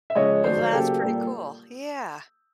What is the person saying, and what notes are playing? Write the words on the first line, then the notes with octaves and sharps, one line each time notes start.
That's pretty cool, yeah.
E5
C#3 F3 G#3 C#5 D#5
D#3 F#3 A3 C5 D5
C#3 F#3 A#3 G4 A4
A#2 G3 A#3